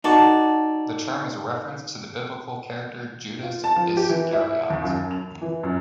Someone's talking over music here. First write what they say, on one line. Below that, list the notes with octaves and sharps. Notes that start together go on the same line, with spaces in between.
The term is a reference to the biblical character Judas Iscariot.
D#4 F#4 A4 C#5 D5
F4
A5
F3
G4
E3
E4
D#2
F#2
F7
E3
F#2